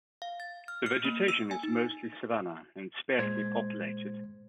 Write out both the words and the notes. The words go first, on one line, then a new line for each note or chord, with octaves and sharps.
The vegetation is mostly savanna, and is sparsely populated.
F5
A6
F6
F6
A#3
E6
G#5
D#4
A#2 G#3 C5 G#6